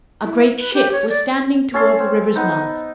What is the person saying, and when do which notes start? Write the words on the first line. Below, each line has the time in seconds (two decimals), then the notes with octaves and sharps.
A great ship was standing towards the river's mouth.
0.22 E4
0.57 B4
0.74 G4
0.92 C#5
1.09 D5
1.74 C#4 A4 A5 C6
2.00 C4
2.35 B3 D#4